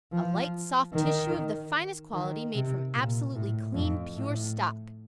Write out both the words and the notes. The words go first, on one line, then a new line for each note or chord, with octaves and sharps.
A light, soft tissue of the finest quality, made from absolutely clean, pure stock.
F3
D#3
D#3
C3
A#2
A2
F2
A2